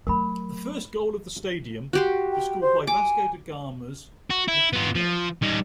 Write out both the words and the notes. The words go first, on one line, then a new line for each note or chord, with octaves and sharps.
The first goal of the stadium was scored by Vasco da Gama's Niginho.
F#3 A3 A#4 B5
F#4 G4 C6
G5
C5
G#5 D6
F#4
E4
B3 F4
F3
G3 D#4